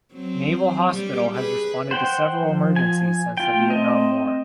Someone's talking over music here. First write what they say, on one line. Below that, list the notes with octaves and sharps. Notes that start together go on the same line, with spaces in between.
Naval Hospital has responded to several emergencies since the Vietnam War.
F#3 C4
G3 G4
G#4 B4
C5 F#5 G5
F3
G#5
F4 G5
A3
C4 D#5